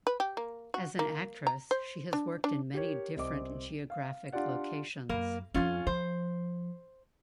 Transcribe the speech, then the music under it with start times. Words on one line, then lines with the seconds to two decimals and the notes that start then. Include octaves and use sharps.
As an actress she has worked in many different geographic locations.
0.07 B4
0.20 G4
0.37 A#3
0.74 F#4
0.99 A#3
1.47 A#5
1.71 C5
2.13 D4
2.44 D4
2.74 G4 A#4 C#5
3.17 C2 C4 D#5 D6
3.90 F5
4.33 D4 F4 G4 D5 F#5
5.09 F#2 A#3
5.54 F2 F3 C#4 F4
5.87 F3 C5